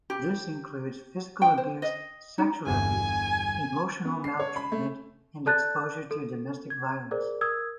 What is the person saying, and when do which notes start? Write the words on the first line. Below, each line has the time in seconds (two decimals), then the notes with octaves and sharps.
This includes physical abuse, sexual abuse, emotional maltreatment, and exposure to domestic violence.
0.10 G4
1.42 G5
1.58 C5
1.82 D#5
2.38 D#4
2.67 G1 E2 G2 G#5
4.05 B3
4.24 C7
4.39 C#5
4.56 B5
4.72 A3
5.46 A4 D5 A5 F#6 G6 A6
6.11 A4
6.70 G#6
7.11 G#4 A#4 C5 D5
7.41 A#4 D#6 E6 G#6